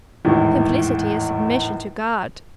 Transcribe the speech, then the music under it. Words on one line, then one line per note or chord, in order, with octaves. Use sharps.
Simplicity is submission to God.
G#1 E2 A2